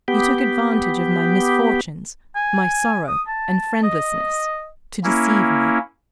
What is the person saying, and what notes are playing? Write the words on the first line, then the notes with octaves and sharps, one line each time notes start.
You took advantage of my misfortunes, my sorrow and friendlessness, to deceive me.
B3 G4
G#5
D#6
A5
D#5
A#3 C#4 E4